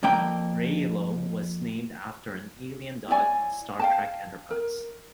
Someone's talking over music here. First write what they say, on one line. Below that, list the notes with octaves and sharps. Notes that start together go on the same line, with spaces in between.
Railo was named after an alien dog in Star Trek Enterprise.
F2 A#3 G5
E4 C#5 D5 G#5
F5 G5 A5
A#4